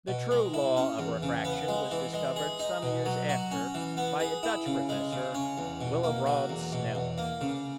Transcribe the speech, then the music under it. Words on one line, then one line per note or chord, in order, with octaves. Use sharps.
The true law of refraction was discovered some years after by a Dutch professor, Willebrod Snell.
B2
G#3
E4
C#4
E2
C#3
B3
G#3
E3
G#3
G#4
D#4
B2
F#3
F#4
C#4
E3
B3
G#4
E4
C#3
G#3
C#3
C#4
E2
B2
A#3
F#3
E2
B2
E2
A#3
C#3